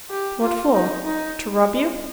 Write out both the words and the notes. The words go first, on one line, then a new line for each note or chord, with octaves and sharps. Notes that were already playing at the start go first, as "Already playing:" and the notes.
"What for--to rob you?"
G4
F4
D#4
D#4